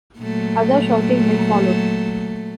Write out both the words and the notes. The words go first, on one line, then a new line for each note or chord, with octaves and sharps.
Other shouting men followed.
A#2 F#3 A3